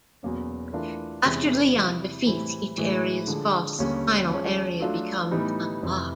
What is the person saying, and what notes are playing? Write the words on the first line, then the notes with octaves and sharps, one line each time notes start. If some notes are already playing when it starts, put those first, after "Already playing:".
After Leon defeats each area's boss, the final area becomes unlocked.
E2 B2 F#3 A#3 C#4
E3 A3 D4 F4 A#4
E2 C3 E3 G#3 C#4
C3 E3 G3
A2 E3 G3 C4 E4
A2 E3 G#3
D3 F3 G#3
D#2 D3 G3 A#3 C#4
F3 G#3 C#4
F#3 A3 D4 F4
A2 E3 G3 B3 D#4
F2 C3 E3